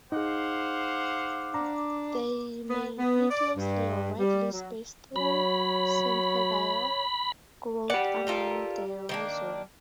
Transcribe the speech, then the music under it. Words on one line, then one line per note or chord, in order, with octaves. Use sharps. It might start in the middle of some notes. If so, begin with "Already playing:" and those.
They may be closely or widely spaced through sympodial growth along the rhizome.
D#4 G#4 C5 F5 F#5 D6
D4 A#5
B3
B3
D5
G2
G3
F#3
F#3 C#5 B5
G4 D5 F#5
F4 A4 A#4
D#3 A#3 D4